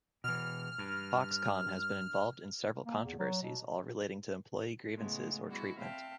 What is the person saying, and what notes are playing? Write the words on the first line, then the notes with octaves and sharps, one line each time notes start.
Foxconn has been involved in several controversies all relating to employee grievances or treatment.
B2 E3 F6
G2
A#3
E2
F#3
B2
A2 C#3 G#3 A3 B3
G3 G#3 B3 E4 F#4
C4 E5 F5 G5 A5